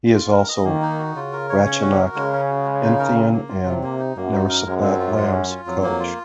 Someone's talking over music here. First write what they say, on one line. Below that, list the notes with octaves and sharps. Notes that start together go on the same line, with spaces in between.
He is also Ratchanok Inthanon and Narissapat Lam's coach.
F4
A#4
D#5
D#3 A#3
D#4
F#4
C#3 F4
A#4
C#5
C#4
F#4
A#4
C#3 G#3
C#4
F#4
G#3
D#4
A#4
F#3
A#3
F4
C3 F#3
A#3
D#4
F#2 A#3
D#4
A#4
F#2 G#3
C4
F4
G#3
C#4
F4
F2 F#3
A#3
F4